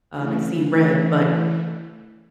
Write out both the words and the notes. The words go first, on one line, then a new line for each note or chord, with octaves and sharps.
um, and see red, but
E3 A3